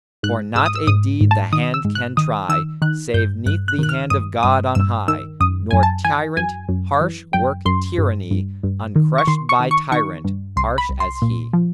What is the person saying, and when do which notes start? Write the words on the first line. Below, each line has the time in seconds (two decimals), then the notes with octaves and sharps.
'For not a deed the hand can try Save 'neath the hand of God on high, Nor tyrant harsh work tyranny Uncrushed by tyrant harsh as he.'
0.23 G#2 F#6
0.55 G#2 E6
0.66 D#6
0.75 E6
0.87 G#2 D#6
1.21 G#2
1.31 A5
1.52 D#3 D#6
1.74 E6
1.85 G#2
1.95 F#6
2.17 D#3 D#6
2.49 D#3 E6
2.82 D#3 F#6
3.14 G2 G6
3.46 G2 F#6
3.68 F#6
3.79 D#3 F#6
3.89 F6
4.10 G2 D#6
4.43 G2 D#6
4.75 G2 E6
5.08 D#3 E6
5.40 F#2 D#6
5.71 F#2 G#5
5.83 A5
6.05 E3 G#5
6.37 F#2 G#5
6.69 F#2
7.01 E3
7.33 F#2 G5
7.65 F#2 C6
7.98 G2
8.31 G2
8.63 G2
8.96 D#3
9.18 C#6
9.27 D#3 C6
9.49 C#6
9.59 D#3
9.71 C#6
9.92 D#3 C#6
10.25 G2
10.56 C2 C6
10.78 B5
10.89 C2
11.00 C6
11.22 A#2
11.53 F3